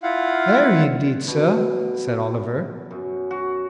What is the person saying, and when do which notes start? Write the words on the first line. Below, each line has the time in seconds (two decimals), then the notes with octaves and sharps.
'Very indeed, sir,' said Oliver.
0.03 E4 F4 F5 F#5
1.28 B2
2.91 F#2
3.31 F#4